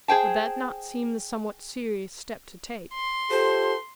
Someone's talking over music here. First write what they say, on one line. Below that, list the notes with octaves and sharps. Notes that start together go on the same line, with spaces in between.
"Would that not seem a somewhat serious step to take?"
G#4 C5 G5 A5
C6
F4 G4 A4 C5